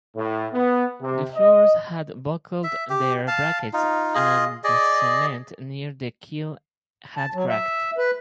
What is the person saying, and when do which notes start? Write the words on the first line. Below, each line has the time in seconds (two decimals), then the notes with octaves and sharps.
The floors had buckled their brackets and the cement near the keel had cracked.
0.15 A2
0.53 B3
1.01 C3
1.35 D#5
2.64 E5
2.90 G4
3.28 F5 A5
3.73 D#4 F4
4.15 F4 G#4 D#5
4.64 G#4 D5 D#5
7.17 A5
7.34 F#3
7.49 E5
7.98 B4